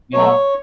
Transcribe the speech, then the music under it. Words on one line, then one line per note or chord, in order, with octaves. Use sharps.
You know,
B2 F#3 A3 C#5